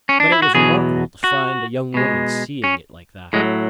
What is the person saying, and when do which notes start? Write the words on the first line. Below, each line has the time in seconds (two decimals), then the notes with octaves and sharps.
But it was remarkable to find a young woman seeing it like that.
0.09 C#4
0.20 D4
0.32 E4
0.42 F#4
0.54 E2 B2 F#3 G#4
1.24 F#4
1.94 B2 G#3
2.64 C#4
3.33 A2 F#3 G#3